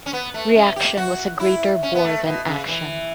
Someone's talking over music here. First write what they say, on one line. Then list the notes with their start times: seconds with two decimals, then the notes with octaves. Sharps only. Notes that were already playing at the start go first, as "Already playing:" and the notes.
Reaction was a greater bore than action.
0.06 C#4
0.13 B3
0.34 A3
0.56 C#4
0.76 G4
0.97 F#4
1.40 E4
1.83 C#4
1.95 B3
2.04 A3
2.25 B2
2.47 C#3
2.68 E3